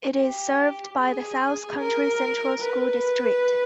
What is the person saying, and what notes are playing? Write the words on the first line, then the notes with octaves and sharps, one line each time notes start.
It is served by the South Country Central School District.
G4
G#4
A#4
B4